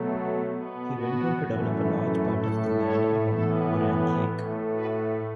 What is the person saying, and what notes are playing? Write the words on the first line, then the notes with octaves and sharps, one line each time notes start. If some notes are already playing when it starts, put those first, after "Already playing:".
He went on to develop a large part of the land Around Grand Lake.
Already playing: B2 F#3 A3
B2 B3
F#4
F#2 E3 A3
A2 A3 E4 A4
A4 C#5
A2 E3 B3 E4 A4
A2 A3
F#4 B4